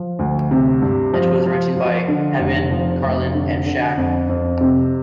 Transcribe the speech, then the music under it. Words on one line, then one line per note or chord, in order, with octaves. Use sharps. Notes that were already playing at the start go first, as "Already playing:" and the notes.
It was written by Heavynn, Karlin, and Schack.
Already playing: F3
D2
C3
G2
F3
F3
F3
D3
F1
F3
F1
D3
D3
F2
F2
C3